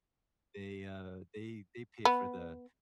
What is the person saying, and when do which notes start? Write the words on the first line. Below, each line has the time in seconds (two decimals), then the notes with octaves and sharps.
they, uh, they they paid for the
2.05 B3